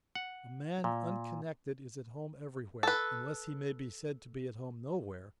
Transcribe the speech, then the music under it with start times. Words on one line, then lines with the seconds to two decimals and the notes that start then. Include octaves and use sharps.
A man unconnected is at home every where; unless he may be said to be at home no where.
0.15 F#5
0.84 A#2
2.83 A4 B4